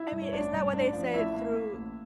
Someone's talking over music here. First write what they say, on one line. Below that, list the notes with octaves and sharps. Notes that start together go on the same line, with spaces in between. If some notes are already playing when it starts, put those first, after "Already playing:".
I mean, isn't that what they say through
Already playing: E4 E5
G2
C#5
A1 D4 D5
G2
A1 D4 D5
F3
A1 E4 E5
A#3
A#3
A1